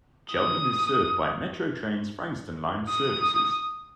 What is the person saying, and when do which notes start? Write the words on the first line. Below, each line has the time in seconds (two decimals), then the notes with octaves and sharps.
Cheltenham is served by Metro Trains' Frankston line services.
0.33 D#6
2.90 D#6